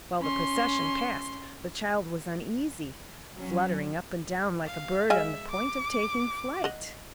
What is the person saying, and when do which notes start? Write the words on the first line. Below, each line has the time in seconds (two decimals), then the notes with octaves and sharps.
While the procession passed, the child was uneasy, fluttering up and down, like a bird on the point of taking flight.
0.21 C#4 C6
3.36 F#3 C#4
4.66 F5
5.10 G#3 E5 F5 G#5
5.51 D6
6.64 D#5 F#5